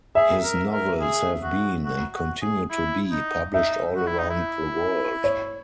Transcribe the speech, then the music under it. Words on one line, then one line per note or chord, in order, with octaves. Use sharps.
His novels have been, and continue to be, published all around the world.
G#4 E5
A#4
A#4
G#4
F#4
F#4
F#4
G#4
E4
D#4
D#4 E5
F#4
E4
D#4
E4
C#5